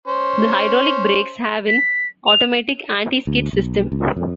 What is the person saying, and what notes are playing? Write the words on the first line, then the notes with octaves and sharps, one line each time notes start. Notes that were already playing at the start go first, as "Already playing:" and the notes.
The hydraulic brakes have an automatic anti-skid system.
C#4 C5
B6
F7
D2
B1
C#2
F2